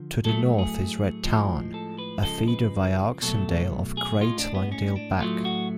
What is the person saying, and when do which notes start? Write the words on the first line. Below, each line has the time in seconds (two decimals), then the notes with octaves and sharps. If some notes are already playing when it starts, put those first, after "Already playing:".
To the north is Red Tarn, a feeder via Oxendale of Great Langdale Beck.
Already playing: D3 F3
0.25 A2 F#3 A3 A4
0.59 G#4
1.24 A2 F3 G#3
1.74 A4
1.98 B4
2.23 C#3 F3 G#3 A4
2.48 B4
3.22 B2 F#3 A3 A4
3.97 G#4
4.21 A2 G#3 F4
4.39 D4
4.55 B3
4.72 C#4
4.96 D4
5.21 A2 F#3 A3 F4
5.45 F#4